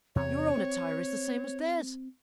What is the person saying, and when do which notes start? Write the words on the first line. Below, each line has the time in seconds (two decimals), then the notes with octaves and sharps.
Your own attire is the same as theirs.
0.15 E2 C3 C#5
0.57 C4